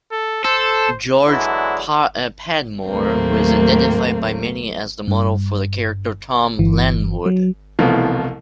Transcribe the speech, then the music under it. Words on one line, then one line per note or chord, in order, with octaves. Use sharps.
George Padmore was identified by many as the model for the character "Tom Lanwood".
A4
A4 C5
D3 E3 F#3 G#3 D4 E4
D#2 A2 F#3 A3 A#3 C4
G2
G1 E3
F#3
C2 B2 E3 F3 A3